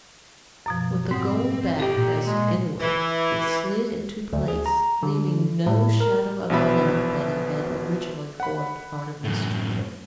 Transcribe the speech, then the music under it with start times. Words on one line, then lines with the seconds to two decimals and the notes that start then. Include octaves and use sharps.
With the gold back pressed inward, it slid into place, leaving no shadow of doubt that it had originally formed part of this trinket.
0.66 F#2 B2 F3
1.11 G#2 C4 F#5 D#6
1.80 E4 G4 A4 G5
1.97 A#2
2.24 G#3
2.80 E3
4.33 D2
4.48 G#4
4.66 A#5
5.03 D3
5.66 A2
6.00 A#4
6.50 A#1 B2 E3 B3 E5 B5
8.40 F#5 B5
9.24 F#2 A2